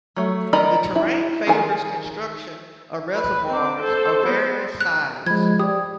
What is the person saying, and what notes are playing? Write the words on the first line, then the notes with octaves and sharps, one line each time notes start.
The terrain favours construction of reservoirs of various size.
F#3 A3
D#3 D5 D#5 A#5 B5
E4
D#3 G#4 G#5
B4
C4 D6
A4 C5
B3
F#6
F3 G#3 B5 G#6
G4 D5 D#6